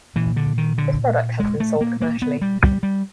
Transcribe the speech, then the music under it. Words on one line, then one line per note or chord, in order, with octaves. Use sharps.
This product has been sold commercially.
A#2 E3
D3
D#3
D3
G#3
A3
A#3
A#3
B3
G3
G3
G3